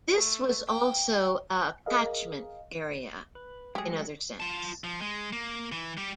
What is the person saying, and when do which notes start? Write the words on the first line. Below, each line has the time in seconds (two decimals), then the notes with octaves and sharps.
This was also a 'catchment area' in another sense.
0.16 A3
0.67 G5
1.86 G#4 A#4 D#5 F5
3.35 B4
3.75 F#3 G#3 A3 G4 G#4
4.40 F4 A5
4.84 F3
5.01 G#3
5.33 A#3
5.72 E3
5.97 G3 G4